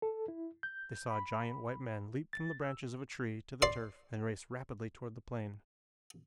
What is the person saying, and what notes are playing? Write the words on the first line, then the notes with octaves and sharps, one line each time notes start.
They saw a giant white man leap from the branches of a tree to the turf and race rapidly toward the plane.
A4
E4
G6
B5
A6
E6
D5 C6